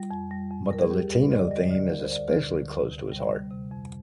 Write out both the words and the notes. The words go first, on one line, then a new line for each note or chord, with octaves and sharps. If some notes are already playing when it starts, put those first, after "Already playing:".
But the Latino theme is especially close to his heart.
Already playing: G3 F4
F2
G3
F2
G3 A#4
G#4
D#2 G4
G3
D3 D#5
D5
G3 D#5
D3 D5
D2 A#4
C5
D2 D5
D3
D2
D2
C3
G3
G3
C3
F2